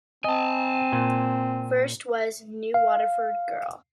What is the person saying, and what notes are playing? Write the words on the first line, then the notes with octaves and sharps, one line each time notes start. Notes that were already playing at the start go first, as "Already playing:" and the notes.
First, was "New Waterford Girl".
C4 D#5 G#5 A5
A#2
F5